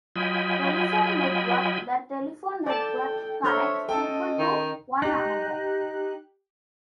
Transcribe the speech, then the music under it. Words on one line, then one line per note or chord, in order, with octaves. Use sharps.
Telephone network: the telephone network connects people to one another.
F#3 F4 D#5 G5 G#5 B5
A4 D5 G5 A5
D4 A4 C5 C#5 E5 F6 G6
C#4 A4 D#5 G5 A5
D#3
D#4 G4 F#6